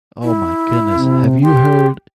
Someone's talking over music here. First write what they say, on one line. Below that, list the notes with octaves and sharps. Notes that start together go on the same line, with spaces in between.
Oh my goodness, have you heard
E4
C3
G4 C6